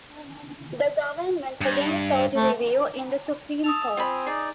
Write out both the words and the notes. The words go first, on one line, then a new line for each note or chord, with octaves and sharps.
The government again sought review in the Supreme Court.
G2
A3
A5 D#6 E6 F7
C4 F4 C5 G#5 B5
D#4 G#4 D5